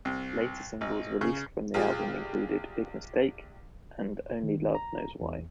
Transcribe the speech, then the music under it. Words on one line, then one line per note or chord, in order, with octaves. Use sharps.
Later singles released from the album included "Big Mistake" and "Only Love Knows Why".
C2
G#1
C#3
A#1 F4 G4 G#4
D#3
A#5
E2